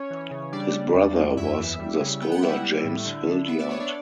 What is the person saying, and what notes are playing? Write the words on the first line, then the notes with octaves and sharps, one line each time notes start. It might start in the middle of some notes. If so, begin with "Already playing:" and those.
His brother was the scholar James Hildyard.
Already playing: C#4 C#5
E3
C#3
G3 D4 D5
G3
E2
E2
F#2 E4 E5
E3
G3
C#3
B3 G5
F#5
G3 E4 E5
G3
A2
D3
D3
B3 E5
D5
B3 C#5
D4 D5